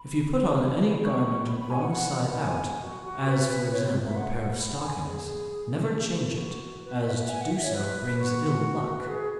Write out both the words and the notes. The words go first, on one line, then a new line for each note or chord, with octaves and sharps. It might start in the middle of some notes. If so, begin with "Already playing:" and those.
If you put on any garment wrong side out, as, for example, a pair of stockings, never change it, as to do so brings ill luck.
Already playing: B5
B5
C#6
B5
B5
G#5
F#5
F#5
B5
G#5
F#4
F#4
B4
C#5
E5
F#5
B5
G#5
G#4
G#4
F#4
E4
F#4
B4
E5
G#5
F#5
E5
C#5
B4
F#4
B4
G#4